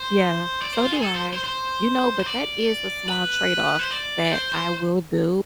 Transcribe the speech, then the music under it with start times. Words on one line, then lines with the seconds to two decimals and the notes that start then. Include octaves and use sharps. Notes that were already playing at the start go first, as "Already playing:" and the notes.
Yeah, so do I, you know, but that is a small trade off that I will do,
Already playing: C5
0.62 D5
0.73 C5
0.82 F4
0.93 G#4
1.03 A4
1.14 C5
1.33 C5
1.44 C5
2.20 C5
2.26 D5
3.08 B4
3.79 C5
3.91 D5
4.32 C5
4.52 C5